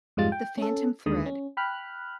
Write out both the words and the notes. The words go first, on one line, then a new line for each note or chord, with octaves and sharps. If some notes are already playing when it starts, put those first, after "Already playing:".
The Phantom Thread.
F2 G#2 G3 G#3 F4 A6
G5
C#4 A4
D#2 D3 D#3 G#3 D#6
C#4
G5 B5 F6 F#6